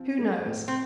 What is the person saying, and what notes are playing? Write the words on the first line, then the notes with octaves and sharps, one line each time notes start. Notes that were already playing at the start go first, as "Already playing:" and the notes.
Who knows?
Already playing: F3 C4
G#3
A2
C4